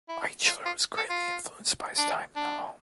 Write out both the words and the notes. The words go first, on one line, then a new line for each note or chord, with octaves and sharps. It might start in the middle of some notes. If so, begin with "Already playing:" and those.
Eichler was greatly influenced by his time in the home.
E4
F4
F4
A4
F4
D4
D4